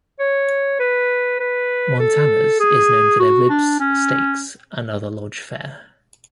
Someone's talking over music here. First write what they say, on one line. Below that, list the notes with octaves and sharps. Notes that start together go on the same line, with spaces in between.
Montana's is known for their ribs, steaks and other lodge fare.
C#5
B4
B4
A4
G#4
F#4
D4
C#4